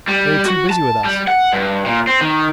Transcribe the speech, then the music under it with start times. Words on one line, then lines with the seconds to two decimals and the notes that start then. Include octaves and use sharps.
'They were too busy with us.
0.08 G3
0.46 F#4
0.70 A5
1.04 G3
1.27 F#5
1.53 G2
1.86 A#2
2.07 C4
2.21 D#3